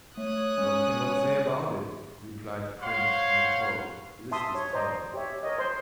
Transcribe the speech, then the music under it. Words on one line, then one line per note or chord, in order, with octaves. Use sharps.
"What can one say about it?" replied the prince in a cold, listless tone.
A3 C#5 D#6 F#6
G#3 C#4
C5 C#5 F5 F#5 C6
E5 A5 C6 D#6
C#5
C5 D5 D#5 A#5
G4 C#5 E5
A#4 C#5 D#5
C5 C6